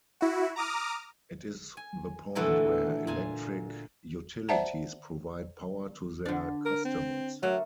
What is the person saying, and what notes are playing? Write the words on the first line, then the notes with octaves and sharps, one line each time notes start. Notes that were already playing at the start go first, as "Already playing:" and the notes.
It is the point where electric utilities provide power to their customers.
E4 F#4
A#5 D6 D#6 F6
G#5
A#2 D3 E3 A3 F#4
A#2 G#5
C5 D5 E5 F#5 A5 A#5
D3 D4
A#4
C4
F#3 A3 A#3